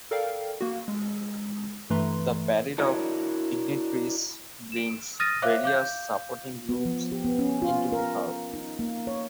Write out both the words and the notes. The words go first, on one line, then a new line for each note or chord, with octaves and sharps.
The "Parade of Ignitaries" brings various supporting groups into the hall.
A4 A#4 D5 F5 G5
A#3 F#4
G#3
G2 E3 A3 B4 A#5 C6
D4 E4 F#4 A#4 C#5 D#5
D7 E7
D#6 F6 A6 A#6 D#7
C5 C#5 E5 F5 D6 F#6
F5 D6 G6
B3
F3
G4
B3
C#4
F4
A#4
D#4
A#3
C#5